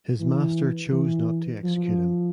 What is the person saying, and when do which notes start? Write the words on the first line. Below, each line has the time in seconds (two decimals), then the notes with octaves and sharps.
His master chose not to execute him.
0.20 E3
0.92 E3
1.64 F3